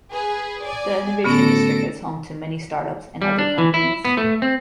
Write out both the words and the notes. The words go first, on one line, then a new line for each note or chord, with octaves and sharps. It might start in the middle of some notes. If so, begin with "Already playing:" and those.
The Innovation District is home to many start-ups, and other companies.
G#4 B4
G#4 D5 G#5
A2 D3 B3 C#4 F#4 A4 A#6 D7
G3
D4
E3
E4
B3
A3
C4